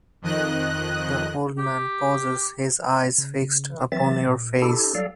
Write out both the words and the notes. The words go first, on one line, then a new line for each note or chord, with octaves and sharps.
The old man pauses, his eyes fixed upon your face.
F2 D#3 D#5 F#6
G4
C#3
C#3
E3 F#3 C4 E5 A6
A#2
D4 E4 G4 A4
F#3 G3 A4 D5 F5